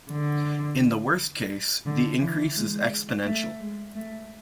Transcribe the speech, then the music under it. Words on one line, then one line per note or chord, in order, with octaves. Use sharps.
In the worst case, the increase is exponential.
D3
D3
E3
G#3
A3
G#3
A3